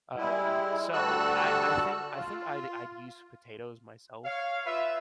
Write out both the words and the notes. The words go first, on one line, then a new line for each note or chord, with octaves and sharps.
Um, so I I think, I think I'd I'd use potatoes myself,
G3 G#3 E4
D2 G3 F#4 A4 E6 F#6
F4
C#5 F5
F4 B4 E5